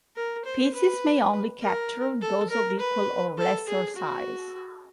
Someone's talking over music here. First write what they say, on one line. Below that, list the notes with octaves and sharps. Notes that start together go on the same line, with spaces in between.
Pieces may only capture those of equal or lesser size.
A#4
C5
B4
A#4
A4
A#4
B4
A4
G#4
F#4